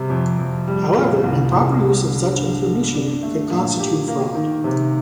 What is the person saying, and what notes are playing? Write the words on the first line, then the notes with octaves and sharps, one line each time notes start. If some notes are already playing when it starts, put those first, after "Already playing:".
However, improper use of such information could constitute fraud.
Already playing: C3 G3
F2
F2
G3
A#2
C2
C2
G3
D3
G2
G2
D4
A3
A#2
G4
A#3
D#3
C3